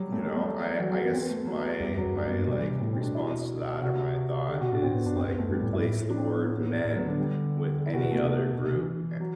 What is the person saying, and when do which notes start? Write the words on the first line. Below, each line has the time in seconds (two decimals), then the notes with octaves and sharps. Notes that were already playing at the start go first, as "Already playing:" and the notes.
you know, I I guess my my, like, response to that, or my thought is, like, replace the word men with any other group, and,
Already playing: F#3 G3
0.12 A3
0.25 G3
0.36 A3
0.79 E3 F#4
0.90 F#3 F#4
1.02 E3 B3
1.13 C4
1.22 B3
1.29 A3
1.38 B3
1.47 F#3
1.80 E2 G3
1.92 F#2
1.97 F#3
2.03 F#2
2.15 G3
2.25 F#2 B3
2.37 G2
2.47 B2 G3
2.59 E3
2.70 C3
2.81 A2 A3
2.93 C4
2.98 B2 D4
3.15 E4
3.82 C3 F#4
4.49 D3 G4
4.60 B2 F#4
4.72 A2 D4
4.82 A2 C4
4.94 A2 B3
5.05 G2 D4
5.16 F#2 C4
5.28 F#2 B3
5.38 F#2 A3
5.51 G3
5.61 A2 G3
5.72 G2 E4
5.84 A2
6.10 D4
6.17 C4
6.29 B3
6.39 B3
6.52 B3
6.85 A2
6.96 F#3 B3
7.07 D3 D4
7.18 G3
7.86 E4
7.94 C3 F#4
8.02 B2 B3
8.11 A3
8.20 C3
8.53 B2
8.64 C3
8.75 E3
9.20 F#3